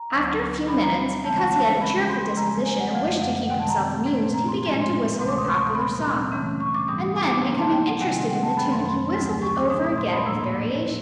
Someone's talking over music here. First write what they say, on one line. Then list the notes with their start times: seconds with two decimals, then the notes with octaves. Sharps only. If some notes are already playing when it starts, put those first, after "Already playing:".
After a few minutes, because he had a cheerful disposition and wished to keep himself amused, he began to whistle a popular song; and then, becoming interested in the tune, he whistled it over again with variations.
Already playing: A#5
0.12 D2 D3 F#3 B3
0.68 B2 G3 C4 B5
0.82 A#5
1.24 E2 C#3 E3 G#3 B3 A5
1.38 A5
1.53 A5
1.81 C#3 F3 G#3 C#4 B5
2.09 C6
2.37 F2 C#3 F3 G#3 A#5
2.65 G#5
2.80 F#5
2.93 F#2 D3 F3 A3 F5
3.08 F#5
3.22 F5
3.36 F#5
3.50 C3 D#3 G#3 C4 G5
3.59 A5
3.69 A#5
4.06 A#2 F3 A3 C4
4.34 A#5
4.48 C6
4.63 A2 F3 G#3 C6
5.19 D2 C3 E3 A3 C6
5.28 D6
5.38 D#6
5.47 C#6
5.61 C6
5.75 A#2 G3 C4 B5
5.89 C6
6.32 C#3 E3 A3 C#4
6.60 C#6
6.74 D6
6.88 G#2 E3 G3 B3 D#6
7.16 D6
7.30 D6
7.44 C#3 F3 A#3 D4 C6
7.58 A5
7.72 G5
7.86 F#5
8.01 C3 D#3 G3 C4 G#5
8.10 G5
8.20 F#5
8.29 G5
8.43 A5
8.57 F#2 D#3 F#3 A3 B5
8.72 C6
8.85 C6
9.14 D#2 D3 F#3 A3
9.42 C#6
9.56 D6
9.70 A#2 F3 A3 D4 D#6
9.84 D#6
9.98 C6
10.12 B5
10.26 A2 F3 A#3 D4 E6